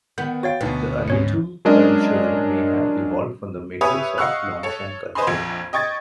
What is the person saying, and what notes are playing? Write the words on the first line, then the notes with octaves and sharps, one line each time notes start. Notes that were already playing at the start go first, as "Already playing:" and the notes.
The Erlitou culture may have evolved from the matrix of Longshan culture.
D#3 B3 G6
F#4 C#5 F5 G5 A6
D2 B2 B3 D#4 B4
G#2 C#4 C#5 C#7
F#3 G#3 C#4 D4 A#4 D#5
G4 B4 C#5 E5 G#5 D#6
D#5 F5 F#5 C#6 E6 F#6
A4 C#5
B4 C5 D#5 G#5 B5 C6
A#1 F2 G#6
D#5 G5 C#6 G#6 A6